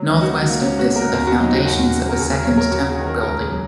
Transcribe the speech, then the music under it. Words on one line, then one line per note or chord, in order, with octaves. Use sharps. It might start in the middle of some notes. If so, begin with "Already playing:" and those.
Northwest of this are the foundations of a second temple building.
Already playing: F#3
C#2 D#4
F#4
F#3
A#3
C#2 C#4
F#4
C#3
A#4
D#2 A#4
F#4
F#3 D#4
F#4
D#2 F#4
C#3
A#4
D#2 G#4
A#4
F#3 C#5
A#4
D#2 F#4
G#4
D#3
A#4
C#2 A#4
G#4
F#3